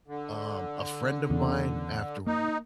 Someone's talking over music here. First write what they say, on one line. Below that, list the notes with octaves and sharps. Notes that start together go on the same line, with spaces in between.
um, a friend of mine after w
D3
E2 C#3
A#3 D#4